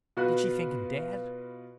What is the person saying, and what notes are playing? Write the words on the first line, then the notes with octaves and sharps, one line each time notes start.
Did she think him dead?
B2 F4 F#4 B4 F#6